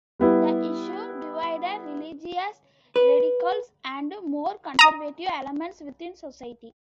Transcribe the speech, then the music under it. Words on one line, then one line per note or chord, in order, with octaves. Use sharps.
The issue divided religious radicals and more conservative elements within society.
G3 B3 E4
B4
A#5 D#6